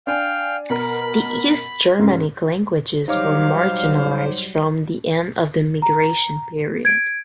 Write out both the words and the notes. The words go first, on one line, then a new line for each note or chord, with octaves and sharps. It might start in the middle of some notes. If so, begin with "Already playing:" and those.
The East Germanic languages were marginalized from the end of the Migration period.
D4 F5 G5 G#5
B2 A#4 B5
G#2 C#3
F#3 G3 D#4 C5 C#5 F5 D6
A#5
G#6 D7